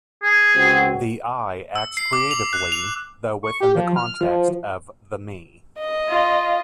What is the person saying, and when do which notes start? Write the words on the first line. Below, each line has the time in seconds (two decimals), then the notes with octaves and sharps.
The "I" acts creatively, though within the context of the "me".
0.23 G#4
0.56 C#2 C4 F#4
1.76 E6
1.97 C7
2.13 D6
2.31 F7
2.53 F#6
2.72 F7
3.43 C#6
3.60 G4
3.75 F3
3.96 F6
4.21 F3
5.79 D#5
6.10 F4